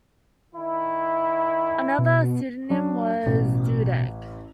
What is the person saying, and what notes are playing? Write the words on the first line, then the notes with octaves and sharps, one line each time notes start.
Another pseudonym was Dodek.
D#3 E4
B2
F#3 D4
A1 B2